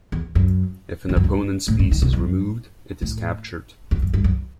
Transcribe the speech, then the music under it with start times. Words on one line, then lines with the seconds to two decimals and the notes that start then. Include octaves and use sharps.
If an opponent's piece is removed, it is captured.
0.12 E2
0.35 F#2
1.09 E2
1.17 F#2
1.24 G2
1.68 A2
1.79 G2
1.91 D#3
2.02 B2
2.13 F#2
3.02 A2
3.91 E2
4.02 F#2
4.13 G2
4.24 F#2